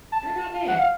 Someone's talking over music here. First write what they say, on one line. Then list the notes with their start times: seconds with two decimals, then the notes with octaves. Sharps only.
they're not bad.
0.12 A5
0.24 A5
0.68 F#5
0.79 F5